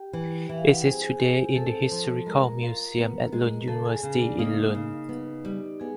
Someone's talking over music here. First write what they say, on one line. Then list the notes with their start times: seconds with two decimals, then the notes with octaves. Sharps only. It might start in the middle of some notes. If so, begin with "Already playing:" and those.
It is today in the Historical Museum at Lund University in Lund.
Already playing: G4 G5
0.13 E3
0.49 E3 E5
0.58 F5
0.67 F#5
0.76 G5
0.85 C4 G#4 G#5
1.20 C4
1.55 C4 A4 A5
1.91 F3
2.26 G#3 A#4 A#5
2.62 F4
2.98 B3
3.32 G#3
3.68 C#3 A4 A5
3.85 G#4 G#5
4.03 C#3 G#4 G#5
4.21 D4 D5
4.38 A#3 D#4 D#5
4.75 C#3
5.09 B3
5.45 G3
5.80 B3 G#4 G#5